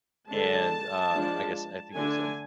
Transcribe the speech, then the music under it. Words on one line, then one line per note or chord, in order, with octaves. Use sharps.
and, uh, I guess I think it was in
D3 G#3 D4 A5
F3 G#3 D4
D3 A3 D4 G#5